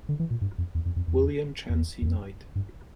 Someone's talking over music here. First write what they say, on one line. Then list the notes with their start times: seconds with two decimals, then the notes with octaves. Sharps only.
William Chancey Knight.
0.09 D3
0.20 E3
0.31 A#2
0.41 G2
0.58 F2
0.75 E2
0.86 F2
0.96 F2
1.08 E2
1.69 F2
1.73 E2
2.02 E2
2.06 F2
2.56 G2